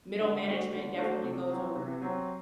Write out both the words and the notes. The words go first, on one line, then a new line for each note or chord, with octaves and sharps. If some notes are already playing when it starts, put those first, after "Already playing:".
middle management definitely goes over,
D3
A3 D4 F#4 C5
D3
A3 D4 F#4 C5
C3
F#3 C4
C3
F#3 C4